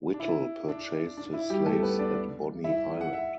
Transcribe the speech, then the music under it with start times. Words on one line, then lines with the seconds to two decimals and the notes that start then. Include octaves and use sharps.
Whittle purchased his slaves at Bonny Island.
0.14 D4
0.20 E4
0.68 D4
1.17 D4
1.33 E4
1.50 G3 G4
1.66 A3 A4
1.83 B3 B4
1.99 D4 D5
2.64 E4 E5
3.01 F#5
3.13 E5